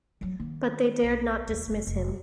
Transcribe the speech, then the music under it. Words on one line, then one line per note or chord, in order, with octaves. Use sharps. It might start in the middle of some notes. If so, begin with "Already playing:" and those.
But they dared not dismiss him.
F3 F#3
D#3 A#3
B1
A1 D#2
F1 B3
F1